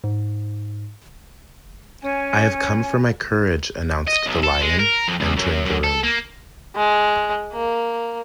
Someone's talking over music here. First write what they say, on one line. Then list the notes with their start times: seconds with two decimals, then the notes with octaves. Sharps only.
"I have come for my courage," announced the Lion, entering the room.
0.04 G#2
2.03 C#4 G#5
4.08 D#5
4.26 B1
4.43 A4
4.61 G#3
4.79 A#4
5.08 F2
5.20 C#2
5.37 F#2
5.65 F#2
5.84 A4
6.04 A#3
6.76 G#3
7.53 A#3